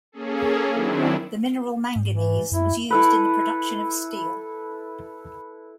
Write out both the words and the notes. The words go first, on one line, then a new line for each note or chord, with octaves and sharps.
The mineral manganese was used in the production of steel.
A#3 C#4 G#4 A4
D#3 F#3 C4 D4 E4
G#2
E3
F#2 E4
E4 A4 B4